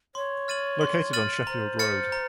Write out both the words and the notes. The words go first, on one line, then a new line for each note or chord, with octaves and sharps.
Located on Sheffield Road.
C#5 C6
F6 A6 D#7 F#7
C6
F6 A6 D#7 F#7
C5 A#5
F6 A6 C#7
A#5